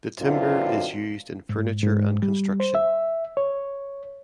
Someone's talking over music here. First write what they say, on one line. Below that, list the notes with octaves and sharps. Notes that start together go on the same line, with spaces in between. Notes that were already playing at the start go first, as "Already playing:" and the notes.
The timber is used in furniture and construction.
F#2 B2 D3 C4 E4 F4
G#2
G#2
G3
C5
E5
C#5